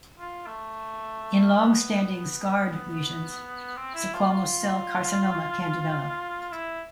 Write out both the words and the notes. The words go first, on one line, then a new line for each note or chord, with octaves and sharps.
In longstanding scarred lesions, squamous cell carcinoma can develop.
F4
A3
B3
C4
E4
F4
F4
E4